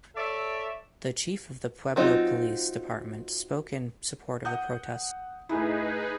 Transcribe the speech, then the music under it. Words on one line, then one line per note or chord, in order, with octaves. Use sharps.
The chief of the Pueblo Police Department spoke in support of the protest.
A4 C#5 D5 E5
F#3 C4 D#4 F4
F#5 D#6 G6
A2 D#4 E4 G#4 B4